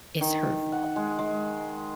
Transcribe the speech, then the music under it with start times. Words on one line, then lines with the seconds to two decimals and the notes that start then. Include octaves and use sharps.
It's her fault.
0.21 D#3
0.72 F#5
0.96 G#3
1.19 G#3